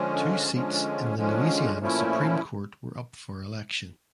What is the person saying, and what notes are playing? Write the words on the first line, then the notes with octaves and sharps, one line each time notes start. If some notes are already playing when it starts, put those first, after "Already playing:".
Two seats in the Louisiana Supreme Court were up for election.
Already playing: D3 F3 G#3 C#4
D3 F3 G#3 C#4
D3 F3 G#3 C#4
A#2 F3 A3 C#4 E4